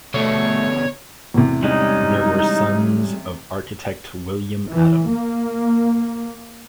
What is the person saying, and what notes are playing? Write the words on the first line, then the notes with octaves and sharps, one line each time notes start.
They were sons of architect William Adam.
B2 D3 A3 C#5
E2 A2 C3
G3 G#3 C#4 D#4
E3
A#3